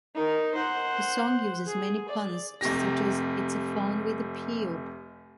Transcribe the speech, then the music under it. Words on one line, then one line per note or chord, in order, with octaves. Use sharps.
The song uses many puns such as It's a phone with appeal!
D#4 A#4
C5 F#5
G#4
D5
F1 C3 G4 A#6